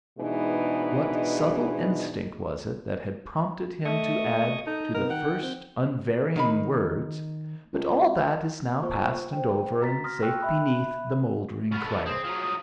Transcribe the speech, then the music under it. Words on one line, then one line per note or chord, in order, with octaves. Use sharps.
What subtle instinct was it that had prompted him to add to the first unvarying words: "But all that is now past and over, and safe beneath the mouldering clay!"
G#2 B2 E3 G#3 D4 D#4
A3 D#5 C#6 D#6
D#4 A4
C3 B3 D#4 A#4
D#3 F#5 G5
C4 G6
D#3 D#4 B5
C#2
A#3 F4 C5 C#6
C5 G5
F#4 A#5 A6 B6
C6 D#6 F6 A#6
G5 C#6 E6 F#6
E5 B5 D#6 F#6
C#3 B3 F4
A4
C4 G#4
F3 F#3
D#6